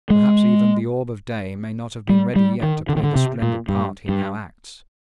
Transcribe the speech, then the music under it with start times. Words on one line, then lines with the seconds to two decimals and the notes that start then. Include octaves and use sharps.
Perhaps even the orb of day may not have been ready yet to play the splendid part he now acts.
0.10 G#3
2.09 G3
2.36 G3
2.63 D#3
2.89 D3
2.96 D#3
3.03 D3
3.16 C3
3.42 A#2
3.69 G2
4.09 G2